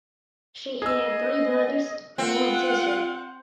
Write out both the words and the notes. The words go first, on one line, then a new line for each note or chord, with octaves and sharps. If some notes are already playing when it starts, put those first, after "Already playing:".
She had three brothers and one sister.
G#4 D#5 E6
C4 F4 F#5